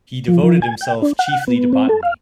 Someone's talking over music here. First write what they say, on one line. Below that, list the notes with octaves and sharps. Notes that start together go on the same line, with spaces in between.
He devoted himself chiefly to botany.
F3
F3
G#5
G5
D4
F#5
B3
C4
A4
F5